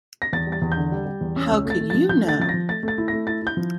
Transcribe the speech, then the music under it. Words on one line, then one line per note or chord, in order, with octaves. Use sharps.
How could you know?
A#6
E2 A6
G3
A6
E2
G6
D3
G3
G3
E2
C#4
C#2 E6
A3 A6
A3
A6
F3
F3 G6
A3 A6
F3 A6
A#6
F3
A3 A6
A3 A6
E4
A#6
A3
E4 A6
E4 G6
F3